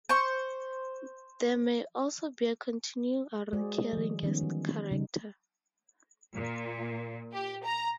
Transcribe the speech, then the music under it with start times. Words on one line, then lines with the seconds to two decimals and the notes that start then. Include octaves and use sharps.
There may also be a continuing or recurring guest character.
0.09 C5 C#6
3.53 G#3 F#4 G#4 C5 D5
3.93 D#3 F3
4.23 D#3 F3 G3 B3 C#4 D#4
4.41 E3 F#4
4.91 C#3 G3 D#4
6.36 A#2
7.33 G4
7.64 A#5